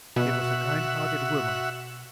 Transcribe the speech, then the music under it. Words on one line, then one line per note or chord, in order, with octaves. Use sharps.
She was a kind-hearted woman.
B2 F#4 E5